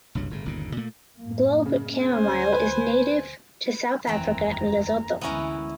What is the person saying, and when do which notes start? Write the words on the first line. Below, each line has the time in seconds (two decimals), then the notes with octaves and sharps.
Globe chamomile is native to South Africa and Lesotho.
0.15 F#1 C2 G2 F#3
0.30 G1 A2 C#3
0.45 G1 D#2 A#2 C#3
0.77 A#2 A3 A#3
1.19 F#2 A2 A#3
1.66 C#3
2.06 D2 C5 G#5
2.52 B4
3.63 B4
4.07 F#1 E2 D#3 E3 C4 A#5
5.21 D2 D3 E3 G#3 B3 C#4 E4 A#4